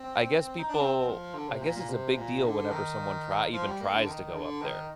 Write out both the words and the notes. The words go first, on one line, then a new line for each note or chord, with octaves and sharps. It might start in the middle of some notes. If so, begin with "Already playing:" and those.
I guess people I guess it's a big deal whenever someone trie even tries to go up there.
Already playing: C4
D#4
D4
C4
F3
D3
C3
A#2
A#2
C3
A#2
D3
D#3
F3
G3
A#3
D3
D#3
D3
D#3